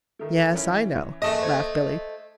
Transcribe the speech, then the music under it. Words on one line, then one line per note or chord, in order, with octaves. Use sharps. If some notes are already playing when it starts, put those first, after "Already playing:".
"Yes, I know," laughed Billy.
D#3 A3
E3 C#4
F#1 A3 G#4 D#5 E7
C5 G#6